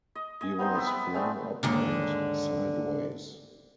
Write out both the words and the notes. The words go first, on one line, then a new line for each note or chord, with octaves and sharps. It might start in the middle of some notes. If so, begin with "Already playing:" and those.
He was flung up and sideways.
D#5
D#5 G#5
B3 C4 D#4 C5
B3 D5 E5 G5
B4
G#3 A3 C4 D4
D#2 G#2 D3